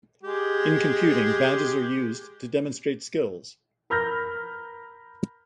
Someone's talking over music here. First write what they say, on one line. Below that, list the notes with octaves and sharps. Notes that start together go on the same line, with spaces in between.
In computing, badges are used to demonstrate skills.
G#3 G4
A#4 B5 F6 G6 A#6